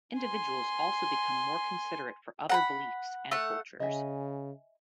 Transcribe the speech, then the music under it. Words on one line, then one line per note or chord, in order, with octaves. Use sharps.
Individuals also become more considerate for other beliefs and cultures.
G#5 C6
F#5 A#5 B5
A3 F#5
C#3 D#5 E5 G#5